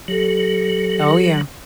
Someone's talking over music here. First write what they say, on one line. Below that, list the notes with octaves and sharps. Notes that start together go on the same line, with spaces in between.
Oh, yeah.
F#3 G4 A4